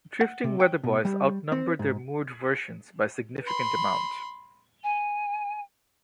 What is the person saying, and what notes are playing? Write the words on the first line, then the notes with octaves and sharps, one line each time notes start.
Drifting weather buoys outnumber their moored versions by a significant amount.
F#5
C3
G5
B2
G3
C4
G#2
B5 C6
G#5